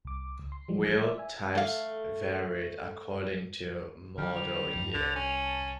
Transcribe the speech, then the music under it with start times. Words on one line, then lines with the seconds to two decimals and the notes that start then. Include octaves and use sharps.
Wheel types varied according to model year.
0.05 C2 D6
0.39 C#2
0.52 C6
0.68 E3 F3 G3 G#3
1.00 D5 E5
1.18 E5 G#5
1.55 A3 F5
4.18 D3 F#3 G3 F6
4.35 F7
4.74 E2 G2 F3
4.94 C2 D3
5.15 C#4
5.44 A5